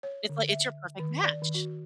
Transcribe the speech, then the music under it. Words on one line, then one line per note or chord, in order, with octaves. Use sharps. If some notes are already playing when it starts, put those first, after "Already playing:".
It's like it's your perfect match!
C#5
D3
E5
D#3
D5
D#3
F#4